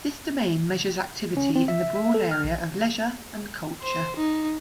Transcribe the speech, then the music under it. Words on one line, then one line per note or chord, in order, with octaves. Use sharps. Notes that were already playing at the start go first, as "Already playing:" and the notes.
This domain measures activity in the broad area of leisure and culture.
C#4
C4
E5
E5
A4
F6
A#1
C5
D#4